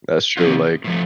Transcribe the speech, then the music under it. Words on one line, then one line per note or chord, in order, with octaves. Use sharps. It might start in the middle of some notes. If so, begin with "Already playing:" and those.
That's true, like
C3 F3 C4 F4
A2 F3 A3